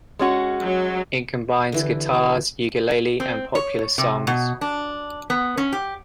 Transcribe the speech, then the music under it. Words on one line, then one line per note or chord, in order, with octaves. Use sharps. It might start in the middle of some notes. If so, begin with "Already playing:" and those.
It combines guitars, ukulele, and popular songs.
G#3 C#4 F#4
F#3
D3 E3 G4
C4
C#5
C3
B2
D4
B3
C#4
G4